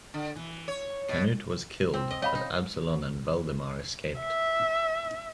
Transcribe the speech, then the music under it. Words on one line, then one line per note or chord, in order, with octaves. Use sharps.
Canute was killed, but Absalon and Valdemar escaped.
D3
E3
C#5
B2
C4
D#5
C#5 D#5 F5 B5
D#4
E5